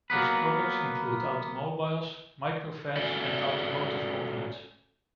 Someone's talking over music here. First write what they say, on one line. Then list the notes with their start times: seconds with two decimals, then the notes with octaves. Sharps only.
Its products include automobiles, microvans, and automotive components.
0.10 F#3 A#3 B3 B4
2.96 C#4 F#4 A4 D5